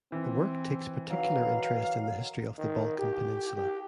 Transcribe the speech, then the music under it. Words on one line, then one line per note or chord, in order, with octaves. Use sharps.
The work takes particular interest in the history of the Balkan peninsula.
E3 C4
D#3 F#3 D#4 B4 F5
D#3
G4
G4